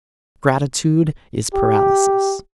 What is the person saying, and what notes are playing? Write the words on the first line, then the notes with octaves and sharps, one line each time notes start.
Gratitude is paralysis.
G4